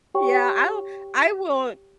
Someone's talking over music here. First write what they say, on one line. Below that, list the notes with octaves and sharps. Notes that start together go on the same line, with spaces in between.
Yeah, I will I will
G4 C#5 G5 C#6